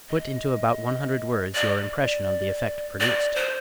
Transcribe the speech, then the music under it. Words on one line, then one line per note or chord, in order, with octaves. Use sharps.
Put into about one hundred words your impression of the effect produced.
D#5
D5
D5
C5